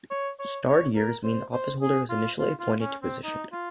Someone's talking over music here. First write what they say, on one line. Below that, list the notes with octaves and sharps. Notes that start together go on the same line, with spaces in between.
Starred years mean the officeholder was initially appointed to position.
C#5
C#5
C#5
A#4
C5
C5
G#4
F4
F4
F4
C#4
C4
D#4
F4